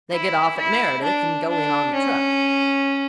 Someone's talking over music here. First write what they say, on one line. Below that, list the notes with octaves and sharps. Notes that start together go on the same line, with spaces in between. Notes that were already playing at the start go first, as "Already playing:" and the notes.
They get off at Meredith and go in on the truck.
E4
E4
D4
D4
C#4